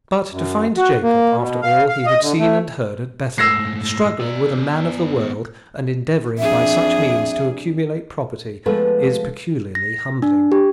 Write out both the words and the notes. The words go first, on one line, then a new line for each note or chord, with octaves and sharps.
But to find Jacob, after all he had seen and heard at Bethel, struggling with a man of the world, and endeavoring by such means to accumulate property, is peculiarly humbling.
F#2
F#4
A#3
B2
F5
F5
D#5
D3
A3
G#2 A3 E6 A#6 C7
B3 D5
F2 D4 G#4 E5
F3 G#3 A3 B3 A4 B4
A#6
D4
G4